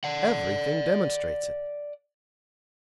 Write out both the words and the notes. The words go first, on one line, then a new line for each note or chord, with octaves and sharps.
Everything demonstrates it.
D5 F#5